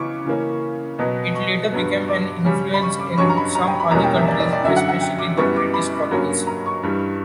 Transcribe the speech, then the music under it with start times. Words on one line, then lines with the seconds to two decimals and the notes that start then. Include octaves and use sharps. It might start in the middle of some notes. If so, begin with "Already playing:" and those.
It later became an influence in some other countries, especially the British colonies.
Already playing: C#3 E3 B3 C#6 D6
0.26 C#3 E3 A#3 C#4
0.99 B2 F#3 B3
1.35 C#6
1.72 G2 F#3 B3
2.08 D6
2.45 C#3 G3 C#4
2.74 B5
2.82 C#6
3.00 D6
3.18 G2 F#3 C#4 C#6
3.29 A#5
3.37 B5
3.55 A#5
3.67 G5
3.80 B5
3.91 E2 B2 G3 A#3 C#4 A#5
4.03 G5
4.15 E5
4.28 D5
4.40 D5
4.53 D5
4.64 F#2 D3 F#3 E5
4.76 F#5
4.88 F#5
5.01 G5
5.19 D6
5.37 F#2 E3 G3 B3 C#6
5.56 D6
5.74 B5
6.11 G2 F#3 A#3 C#4
6.47 A#5
6.66 C#6
6.83 G2 E3 G3